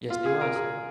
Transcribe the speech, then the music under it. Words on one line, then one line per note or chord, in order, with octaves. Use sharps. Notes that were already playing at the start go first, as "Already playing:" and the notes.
Yes, he was.
F4
G#4
A#4
G#4